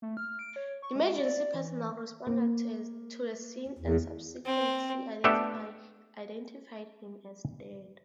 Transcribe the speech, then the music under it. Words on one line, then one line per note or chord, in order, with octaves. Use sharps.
Emergency personnel responded to the scene and subsequently identified him as dead.
A3
F6
D7
C#5
C#6
G#3
D5
E3
A#3
E2
C4
A3 B3 D4 G4 A4 E5